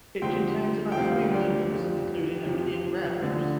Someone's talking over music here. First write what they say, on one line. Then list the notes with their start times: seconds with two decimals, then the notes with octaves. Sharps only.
It contains about three million books, including a million rare books.
0.22 D2 C3 F3 G5 C6
0.92 G5
0.96 D2 C3 F3 F5
1.34 D5 G5
1.71 F2 C3 F3
2.47 F2 C3 F3
3.22 D2 D3 F3